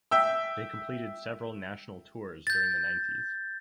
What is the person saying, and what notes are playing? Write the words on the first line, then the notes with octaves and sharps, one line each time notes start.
They completed several national tours during the nineties.
E5 G5 E6
G6 A6